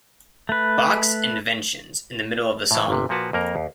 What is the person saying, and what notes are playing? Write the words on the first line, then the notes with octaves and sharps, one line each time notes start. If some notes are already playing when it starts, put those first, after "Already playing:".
Bach's Inventions in the middle of the song.
A3 B4
A2 E3
G1 C3
A#2 F3 A#3 F#4 B4 A5
F2 A#3 A#4
D#2